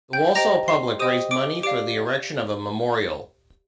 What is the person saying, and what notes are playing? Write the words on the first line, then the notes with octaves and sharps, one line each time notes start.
The Walsall public raised money for the erection of a memorial.
G5 G6
G4 C5 D#5 G5 A#5 A#6
C6 C7
G4 C5 D#5 G5 D#6 D#7
D6 D7
G4 D5 F5 D6 D7